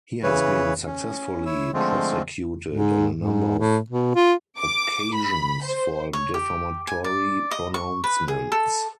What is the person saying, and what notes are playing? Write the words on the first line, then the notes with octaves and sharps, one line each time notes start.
He has been successfully prosecuted on a number of occasions for defamatory pronouncements.
C#3 E3 B4 C#5
C#4
E4 C#5 E6
D3 F3 G#3 A3 C4 F4
G#2
G#2
A2
B2
F4
D6
B5
C5
C#5
G4
G#5
D5
D#5
C#6
B4
G#4
A4